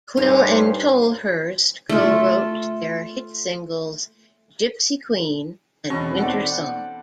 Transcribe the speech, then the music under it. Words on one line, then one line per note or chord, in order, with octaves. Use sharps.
Quill and Tolhurst co-wrote their hit singles "Gypsy Queen" and "Wintersong".
G2 C#4 D#4 C5
A3 F4
E2 B2 C4 C#4 C#6
B3 D#4 A4 C5 D5 F#5